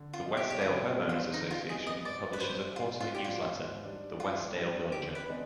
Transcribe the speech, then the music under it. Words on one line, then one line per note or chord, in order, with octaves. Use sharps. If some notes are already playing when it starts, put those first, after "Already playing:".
The Westdale Homeowners' Association publishes a quarterly newsletter, "The Westdale Villager".
Already playing: D3
F4
G3 B3 D#4
G4
G4
D3 F4
G3 B3 D#4
F4
D3 D#4
F4
G3 B3 D#4 G#4
D#5
G#2 D5
B4
G3 D4 C5
G#2 F4
F4
G3 D4 G4
F4
G#2
G3 D4
G#2 F4
G3 D4
D3 G4
B4
G#3 B3 D4